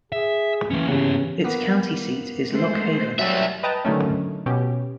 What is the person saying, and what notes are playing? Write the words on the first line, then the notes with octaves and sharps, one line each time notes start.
Its county seat is Lock Haven.
G#4 E5
E3 A#3 C#4
C#3 B3 G4
A#3 B3
G#3 A3 C5
F#3 G3 E5
B4 D#5 G5 A5 A#5
D3 D#3 F#3 A3 C#4
B2 C#4 G4